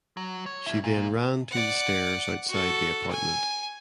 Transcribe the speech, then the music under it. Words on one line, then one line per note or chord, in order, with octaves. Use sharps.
She then ran to the stairs outside the apartment.
F#3
C#5
G3 E4
A#2
D5 F#5
F#4 A4
G#5